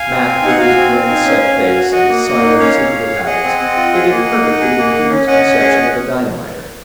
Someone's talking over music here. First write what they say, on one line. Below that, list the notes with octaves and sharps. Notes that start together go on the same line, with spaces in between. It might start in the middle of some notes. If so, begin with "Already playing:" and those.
"Mac," with his grim, set face and his silent, secretive habits, fitted perfectly to Peter's conception of a dynamiter.
Already playing: F5 G#5
C4
C4
D#4 F#5
F#4 F5 G#5
C4
C4
D#4
C#4
C#4
F#4
F#4
F#4 D#5 F#5
A#3
A#3
D#4
C#4 C#5 F5
C#4
G#4
G#4
G#4 D#5 F#5
C4
C4
F4
G#4
A#3
A#3
D#4
G#4
A#3
A#3
C#4
C#4 D#5 F#5
C#4
G#4